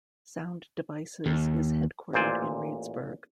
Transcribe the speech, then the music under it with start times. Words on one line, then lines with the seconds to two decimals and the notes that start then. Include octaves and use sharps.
Sound Devices is headquartered in Reedsburg.
1.26 D#2
2.13 A1 A#2 C5 D5 G#5